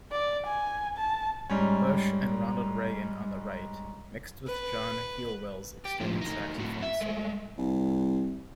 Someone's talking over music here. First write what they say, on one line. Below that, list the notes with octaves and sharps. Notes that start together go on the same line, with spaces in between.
Bush and Ronald Reagan on the right, mixed with John Helliwell's extended saxophone solo.
D5
G#5
A5
G#2 G3 C#4
B4
G4
A2 F3
D2 D#4
A2 F#4
E5
G#3 A3
C2